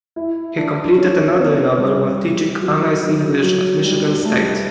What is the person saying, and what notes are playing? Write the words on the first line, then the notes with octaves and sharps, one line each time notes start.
He completed another novel while teaching Honors English at Michigan State.
E4
D4
C#4
B3
G3
F#3
F#3
F#3
G3
G3
A3